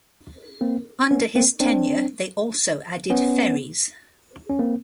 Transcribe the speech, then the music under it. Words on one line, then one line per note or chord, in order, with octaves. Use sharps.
Under his tenure they also added ferries.
A#3 C4
B3 C#4
A#3 C4
C4 D4
B3 C#4
C#4
A#3 C4